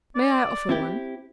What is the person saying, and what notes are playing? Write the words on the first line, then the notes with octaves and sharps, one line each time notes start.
"May I offer one?"
D5
C4 E4 G4